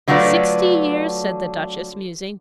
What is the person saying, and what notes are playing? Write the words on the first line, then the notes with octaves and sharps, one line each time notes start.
"Sixty years," said the Duchess, musing.
D3 F#3 A3 F4 B4 D5